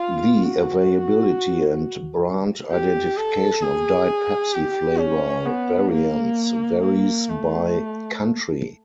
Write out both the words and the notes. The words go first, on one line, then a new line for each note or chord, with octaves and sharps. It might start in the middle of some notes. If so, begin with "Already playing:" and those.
The availability and brand identification of Diet Pepsi flavor variants varies by country.
Already playing: F4
F#4
G4
A4
G#4
G4
C#4
B3
A#3
A#3
A3